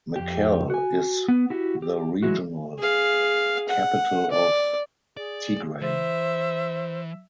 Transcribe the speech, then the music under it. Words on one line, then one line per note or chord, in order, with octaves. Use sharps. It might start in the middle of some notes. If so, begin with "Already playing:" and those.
Mekelle is the regional capital of Tigray.
F2 G4
F#4 G#5
B3
E4 F#4 G4
G4
E3 F#3 G#3 E4 F#4
G#4 F5
F#5
D5
G#4 D5
E3 C5 E5